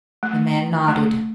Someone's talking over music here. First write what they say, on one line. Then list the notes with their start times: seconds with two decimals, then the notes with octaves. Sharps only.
The man nodded.
0.23 A3
0.88 A3